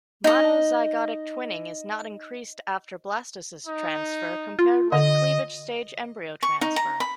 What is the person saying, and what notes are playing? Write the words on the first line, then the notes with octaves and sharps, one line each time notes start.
Monozygotic twinning is not increased after blastocyst transfer compared with cleavage-stage embryo transfer.
D#4 D#5
D#4
F4
D3 D#5
C#6
D#4
A#5
B5